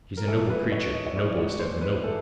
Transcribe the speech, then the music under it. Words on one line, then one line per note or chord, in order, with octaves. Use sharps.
She's a noble creature, noblest of the noble.
A#4
A2 E3 G#3 A4
B4
C#5
D#5
C#5
A2 E3 G#3 D5
C#5
C5
B4
A2 E3 A4